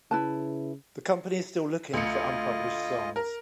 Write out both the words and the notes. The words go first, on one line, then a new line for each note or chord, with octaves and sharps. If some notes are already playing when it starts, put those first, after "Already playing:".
The company is still looking for unpublished songs.
C#3 E4 B4 A5
D2 F4 D#5 C#7
A#4